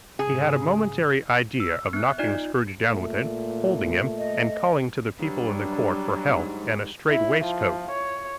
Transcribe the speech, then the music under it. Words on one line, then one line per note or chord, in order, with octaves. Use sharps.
He had a momentary idea of knocking Scrooge down with it, holding him, and calling to the people in the court for help and a strait-waistcoat.
G#2 C#3 G#4
E6
B3 F#6
D#4 F4 D5 D#5
A#2 A3
D#5
G2 F#3 G3 D4
G#2
E4
F3
C#5